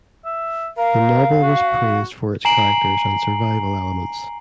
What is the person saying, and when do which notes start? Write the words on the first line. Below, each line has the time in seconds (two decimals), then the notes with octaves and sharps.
The novel was praised for its characters and survival elements.
0.25 E5
0.77 A#4 F5
1.42 F#4
2.45 G#5 A#5 C7 D7 F#7